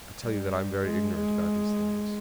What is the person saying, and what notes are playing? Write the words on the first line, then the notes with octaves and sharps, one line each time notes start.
"I tell you that I am very ignorant about these things."
G3
G#3
G#3